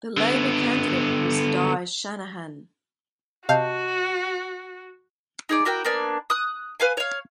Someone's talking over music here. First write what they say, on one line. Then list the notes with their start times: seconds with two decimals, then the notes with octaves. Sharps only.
The Labor candidate was Di Shanahan.
0.17 D3 B3
3.49 C3 F#4 D#5 F5 A5 G6
5.49 D#4 G#4 D5
5.65 E4 F#4 A#4 G5
5.85 A#3 B3 D4 G#5
6.30 D#6 F#6
6.80 B4 F5 G#5
6.97 C#5 F5